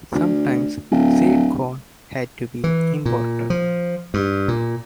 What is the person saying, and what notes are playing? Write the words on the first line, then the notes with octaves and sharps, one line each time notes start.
Sometimes seed corn had to be imported.
D2
D1
E3
A#2
F3
G2
A#2